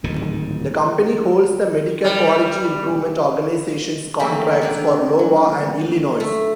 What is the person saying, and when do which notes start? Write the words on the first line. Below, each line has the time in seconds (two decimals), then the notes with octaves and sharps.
The company holds the Medicare Quality Improvement Organizations contracts for Iowa and Illinois.
0.04 D1 G#2 D#3
2.04 G3
4.19 E3 F#3 A3 A#3 C#4 G4
4.61 D3 D#3 D5
5.19 F#3
6.20 A3